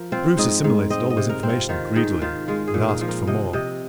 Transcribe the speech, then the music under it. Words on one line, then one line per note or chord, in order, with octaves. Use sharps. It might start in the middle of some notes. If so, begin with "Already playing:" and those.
Bruce assimilated all this information greedily--and asked for more.
Already playing: F3 A#4
C4 F4
G#2 D#5
G#2
C4 D#5
D#5
C3
A#4
C4
F4
D#3 F4
D#3 G#4
D#3 F4
G#3 F4
G#4
A#2
A#4
G#4
F3
A#4
C3 D#5
C3 D#5